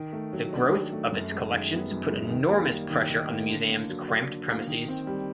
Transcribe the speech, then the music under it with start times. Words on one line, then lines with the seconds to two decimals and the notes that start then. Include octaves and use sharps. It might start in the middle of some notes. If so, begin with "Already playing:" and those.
The growth of its collections put enormous pressure on the museum's cramped premises.
Already playing: D#3
0.13 A3
0.33 F#3
0.53 D4
0.72 D#3
0.92 A3
1.12 F#2
1.32 G#3
1.51 D#3
1.71 B3
1.91 F#2
2.11 G#3
2.30 D#3
2.50 A#3
2.70 G3
2.90 D#3
3.10 D#3
3.30 A#3
3.49 D3
3.69 A#3
3.89 F#3
4.08 D4
4.28 D3
4.48 A#3
4.67 D#3
4.88 C4
5.07 G3